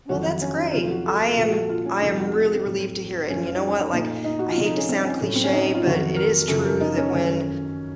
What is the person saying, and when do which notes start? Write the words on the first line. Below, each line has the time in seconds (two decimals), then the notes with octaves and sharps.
Well, that's great. I am I am really relieved to hear it. And you know what, like, I hate to sound cliché, but it is true that when
0.09 F2 D#3 F#3 F#4
0.41 C#4
0.58 D#4
0.73 F2 C3 F#3 A3 F4
0.90 F#4
1.06 A4
1.21 A4
1.37 A#2 F3 A3 A4
1.49 F#4
1.53 A4
1.69 F4
1.85 C#4
2.01 F2 C3 F3 A3 D#4
2.17 F#4
2.33 A4
2.44 A4
2.55 C4
2.65 A2 F#3 A3
3.29 F#2 F3 A3 C#4
3.46 F4
3.56 D#4
3.67 C#4
3.78 D#4
3.93 A#2 A3 D#4
4.24 D#4
4.39 F#4
4.51 F4
4.57 C3 F3 A3
4.64 D#4
4.77 C#4
4.89 C4
5.05 C#4
5.21 A2 F#3 A3
5.36 C4
5.44 C#4
5.53 D#4
5.74 F4
5.85 F2 D#3 F#3 F#4
6.16 A#4
6.48 F#2 C#3 F3 A4
6.65 A#4
6.80 D#4
6.97 C#4
7.13 F#2 D#3 F#3 A3 C#4